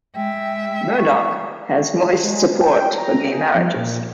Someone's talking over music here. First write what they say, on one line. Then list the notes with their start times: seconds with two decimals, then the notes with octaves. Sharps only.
Murdoch has voiced support for gay marriages.
0.16 G#3 E5 G5
0.98 C#6
2.22 G#3
2.59 G5
2.98 A#5
3.30 G#4
3.55 F3
3.75 A#2